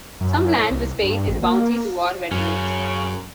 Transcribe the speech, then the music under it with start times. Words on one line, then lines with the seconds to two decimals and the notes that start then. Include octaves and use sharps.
Some land was paid as bounty to war veterans.
0.20 F#2
0.58 A2
0.70 C2
1.02 G2
1.28 G#1
1.42 A#3
2.31 F#2 C#3 C#4